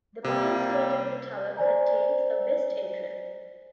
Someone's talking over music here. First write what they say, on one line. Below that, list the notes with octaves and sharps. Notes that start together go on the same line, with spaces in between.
The bottom stage of the tower contains a west entrance.
C3 G3 A#3
C5 D5 G#5 A#5